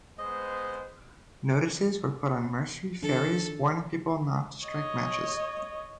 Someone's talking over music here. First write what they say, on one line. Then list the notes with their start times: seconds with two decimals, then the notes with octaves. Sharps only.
Notices were put on Mersey ferries warning people not to strike matches.
0.18 G#3 B3 C5 D#5
3.02 D#3 F#3 D4 A4
4.66 C#5 D#5